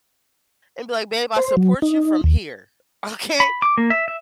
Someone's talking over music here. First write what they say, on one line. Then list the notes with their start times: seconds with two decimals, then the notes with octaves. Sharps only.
and be like, "Babe, I support you from here, okay?"
1.36 C5
1.57 F#3
1.82 D#4
2.24 D#2
3.40 B5
3.62 D6
3.78 A#3
3.90 E5
4.08 E5